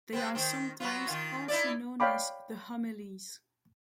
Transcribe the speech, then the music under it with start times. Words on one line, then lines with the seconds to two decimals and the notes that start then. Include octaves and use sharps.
They are sometimes also known as "the homilies".
0.13 G#3 B3 C4
0.35 D#3 C4
0.80 F#3 B3 F4
1.07 D#3 F4
1.48 D#4 E4 D5
2.00 C#5 D5 F5 G5 B5 D6